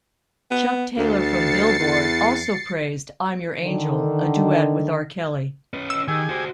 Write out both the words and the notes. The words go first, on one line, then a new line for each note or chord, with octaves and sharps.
Chuck Taylor from "Billboard" also praised "I'm Your Angel", a duet with R. Kelly.
B3
D2 A6 C7 C#7
E2
D3 D#3
C#4 B4
E6
D#3 G4 G#4 G#5
F#4 C5